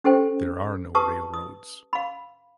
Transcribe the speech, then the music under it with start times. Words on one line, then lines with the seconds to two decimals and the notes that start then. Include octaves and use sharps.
There are no railroads.
0.04 C#4 G4 A4 C5 G5
0.95 G4 B4 A5 C#6 D#6
1.34 D#6
1.93 F5 B5